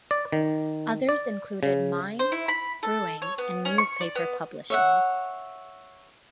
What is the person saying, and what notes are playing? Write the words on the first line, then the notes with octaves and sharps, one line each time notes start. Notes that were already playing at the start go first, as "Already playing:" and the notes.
Others included mines, brewing, and newspaper publishing.
D5
D#3
D5
C#3
C5
E4
B5
A4
C#5
B3
C#4
C#6
D5
B3
C#5 E5 F#5